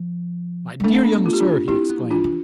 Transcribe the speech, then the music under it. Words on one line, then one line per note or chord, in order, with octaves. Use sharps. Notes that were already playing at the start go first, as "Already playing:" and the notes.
"My dear young sir!" he exclaimed.
Already playing: F3
G3
A3 D4
C4
B3 D4
F4
G4
D4 F4
C4 E4 G4
B3
F3
E3 D4 F4
E3